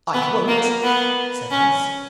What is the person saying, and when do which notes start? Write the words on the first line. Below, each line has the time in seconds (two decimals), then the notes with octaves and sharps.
'I won't!' said Alice.
0.13 B3
0.48 A#3
0.83 B3
1.51 C#4